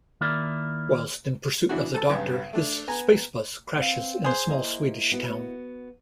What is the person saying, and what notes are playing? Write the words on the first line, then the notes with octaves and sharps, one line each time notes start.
Whilst in pursuit of the doctor his space-bus crashes in a small Swedish town.
D#3 A#3 E4 A#4 D5
C#3 E3 B3 D4 F#4
A4 A5
B1 G2 C#3 B3
A3 D4
B3 G#5 A#5
C4 B4 F5
G#4 C5
A#3 E4 D#5
B3 F#4